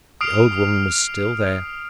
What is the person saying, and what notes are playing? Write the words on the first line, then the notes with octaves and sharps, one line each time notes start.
The old woman was still there.
D#6 F6 C7 D7 F7